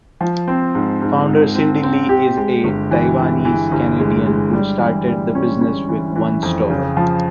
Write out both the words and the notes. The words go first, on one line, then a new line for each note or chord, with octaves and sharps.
Founder Cindy Lee is a Taiwanese-Canadian who started the business with one store.
F3
C4
G#2
G#2
G#2
C4
C4
G4
G#3
G1
E3
E3
E3
G1
G#3
G#3
G3
E3
G3
C#4
C#4
E3
E3
F2
C#3
F3